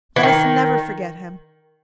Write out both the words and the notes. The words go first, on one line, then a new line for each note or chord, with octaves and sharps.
Let us never forget him.
E3
D#3